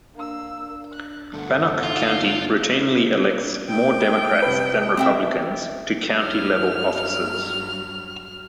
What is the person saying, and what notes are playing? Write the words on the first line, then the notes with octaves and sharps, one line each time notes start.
Bannock County routinely elects more Democrats than Republicans to county-level offices.
A#3 D4 E6
F#6
G2 D3 A3 A4 F#5
D#4 F4
G5
C2 B4
C4 E5 G5
G2 F#3 F6